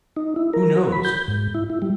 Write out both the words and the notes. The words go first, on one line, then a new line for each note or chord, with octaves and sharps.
Who knows?
D#4
E4
A#4
F#4
B5
G6
G#2
E4
E4
G3